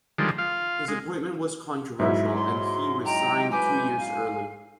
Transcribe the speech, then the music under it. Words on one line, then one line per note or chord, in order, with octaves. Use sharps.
His appointment was controversial and he resigned two years early.
D3 D#3 F3 G3 G#3
F4 F5
G#3
G#2 F#3 E4 E5
C6
D#5 G5 A#5
B4 G#5 D6 G6
F5